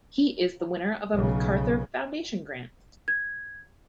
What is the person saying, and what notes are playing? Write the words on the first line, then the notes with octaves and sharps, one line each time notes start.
He is the winner of a MacArthur Foundation grant.
B1 C#3
G#6